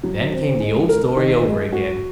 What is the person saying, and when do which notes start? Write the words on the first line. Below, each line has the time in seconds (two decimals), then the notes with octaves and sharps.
Then came the old story over again.
0.03 F#3
0.32 C4
0.60 G#3
0.89 A#4
1.16 D#3
1.45 G#3
1.73 F#4